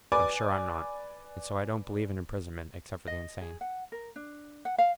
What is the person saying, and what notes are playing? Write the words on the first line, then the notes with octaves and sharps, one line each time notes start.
"I'm sure I'm not--and so I don't believe in imprisonment except for the insane."
B4 D5 G#5 D6
D#5
G#4
F#5
A#4
D4
F#5
F5